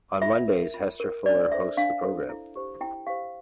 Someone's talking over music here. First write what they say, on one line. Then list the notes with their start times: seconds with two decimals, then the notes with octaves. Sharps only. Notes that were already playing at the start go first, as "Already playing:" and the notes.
On Mondays Hester Fuller hosts the program.
0.22 F4 E5
0.48 A#4
0.74 F4
1.00 A#4
1.26 D4 D5
1.52 A4 C5 E5
1.77 D4 F5
2.04 A4 C5
2.29 E4
2.55 G4 C5
2.81 E4 G5
3.07 G4 C5 F5